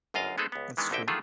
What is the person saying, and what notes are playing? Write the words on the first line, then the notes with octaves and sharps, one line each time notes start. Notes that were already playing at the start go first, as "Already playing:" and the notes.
That's true.
G1 F#2 F4 D#5 F5
G#3 B3 C4 D#4 G#4 A4
C#2 B3
D#3 E3 G#3 B3 D4
A#1 D3 D#4 E4 E5 G5
D3 D#3 A3 F4 G#4 A4